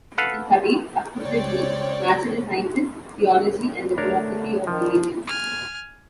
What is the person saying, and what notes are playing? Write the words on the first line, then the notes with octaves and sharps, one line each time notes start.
He studied, successively, natural sciences, theology and the philosophy of religion.
A4 B4 F5 F#5
C#2 C4 C#5 D5 G5
C#3 A#3
F2 A#2
D3 A3 D4 A#4 C#5
D#3 F3 D4
G#5 F6